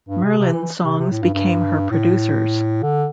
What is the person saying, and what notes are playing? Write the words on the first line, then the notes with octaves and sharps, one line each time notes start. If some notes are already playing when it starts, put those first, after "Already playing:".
Murlyn Songs became her producers.
G2
C3
C3
E3
C3
C3
A2
G2
G2
A2
D3